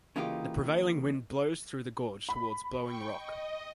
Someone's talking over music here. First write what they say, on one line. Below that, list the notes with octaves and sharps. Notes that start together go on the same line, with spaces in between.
The prevailing wind blows through the gorge toward Blowing Rock.
C#3 E3 A#3 D#4 F4 G4
B5
G5 C#6
D#5